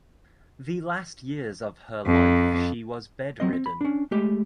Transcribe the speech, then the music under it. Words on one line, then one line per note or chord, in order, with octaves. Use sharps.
The last years of her life she was bedridden.
F2
F#3 C4 D#5
C4
B5
C#4 D4
G#3 A3 G4